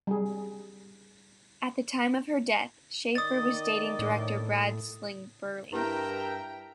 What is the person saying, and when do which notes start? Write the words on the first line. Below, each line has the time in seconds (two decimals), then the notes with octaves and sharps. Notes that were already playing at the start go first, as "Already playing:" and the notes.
At the time of her death, Schaeffer was dating director Brad Silberling.
0.07 G3 G#4
3.15 D#3 D5 D#5 D#6 A6
3.99 A2
5.72 G2 E4 G4 A#4 B4 E5 G5 A#5